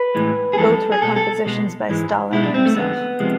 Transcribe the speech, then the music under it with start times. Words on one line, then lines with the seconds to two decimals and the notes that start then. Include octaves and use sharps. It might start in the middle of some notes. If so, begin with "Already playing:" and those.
Both were compositions by Stalling himself.
Already playing: B4
0.15 A2 E3 G#3
0.53 G#4
0.58 F2 E3 G#3 A4
0.92 G#4
1.02 B2 G#3 A4
1.16 A4
1.45 B2 G#3
1.89 G#2 E3 G#3
2.32 B2 G#3 E4
2.43 D4
2.54 C4
2.65 A3
2.76 F2 D3 G#3 B3
3.20 C3 F3 G#3